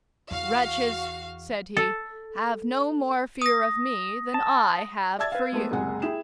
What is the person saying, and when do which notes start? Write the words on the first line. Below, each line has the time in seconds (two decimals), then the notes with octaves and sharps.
"Wretches!" said he, "have no more fear of me than I have for you!"
0.31 E2 F#4 F5
1.77 A4
3.42 D#6 A#6
4.34 A5
5.19 D5 E5 A5 E6 G#6 A6
5.32 B4 F5
5.52 G#3 A3 B3
5.71 F#1 C2 G#3 F#5 G#5
6.02 E4 G#4 G5 E7